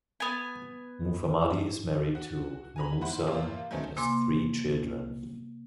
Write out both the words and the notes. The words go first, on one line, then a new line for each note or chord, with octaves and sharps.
Mufamadi is married to Nomusa and has three children.
B3 G#5
F#4
G#5 A#5 B5
G#2 E4 C5 F#5 B5
C3 E3 A#3 F4
F#3 A3 C4 C#4 D#4
C3 A#3 G#5 C6 D6